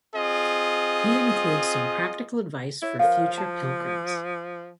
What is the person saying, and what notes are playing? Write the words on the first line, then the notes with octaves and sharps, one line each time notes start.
He includes some practical advice for future pilgrims.
C4 F4 G#4 D#5
E4 C#5
F3 A#4 C#5 F5
A5